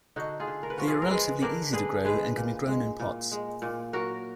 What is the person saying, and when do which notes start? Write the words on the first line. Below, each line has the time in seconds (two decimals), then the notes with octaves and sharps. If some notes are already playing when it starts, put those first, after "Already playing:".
They are relatively easy to grow, and can be grown in pots.
0.16 D3 D#4 F#4
0.40 F4 G#4
0.47 D3
0.63 A#4
0.70 B4
0.78 F3 F#4 A#4
0.88 F4 G#4
1.02 A#4
1.10 G#3 G#4 B4
1.42 D3 A#4 D5
1.73 D3 G#4 B4
2.05 G#3 G#4 B4
2.36 A#2
2.68 G#3
3.00 A#2
3.32 G#3
3.62 A#2
3.93 F#3 F#4 A#4